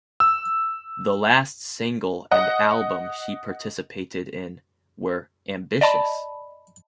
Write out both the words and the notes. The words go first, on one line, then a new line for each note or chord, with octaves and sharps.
The last single and album she participated in were Ambitious!
E6
D#5 F#5
D5 D#5 A5 B5